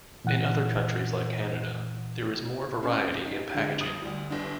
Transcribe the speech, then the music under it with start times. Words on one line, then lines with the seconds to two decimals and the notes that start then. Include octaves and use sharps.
In other countries, like Canada, there is more variety in packaging.
0.25 A#2 E3 F#5 F#6
2.82 C#3 A#3 C#4
3.21 D#4 G4
3.54 D3 G#3 D4
3.79 G2 D#6 G#6
4.02 D2 G3
4.30 G1 D4